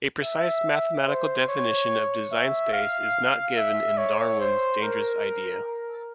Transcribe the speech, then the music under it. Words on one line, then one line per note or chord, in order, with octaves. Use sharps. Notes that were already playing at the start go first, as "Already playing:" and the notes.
A precise mathematical definition of Design Space is not given in "Darwin's Dangerous Idea".
E5
C5
C#5
E5
F5
E5
C#5
C5
A#4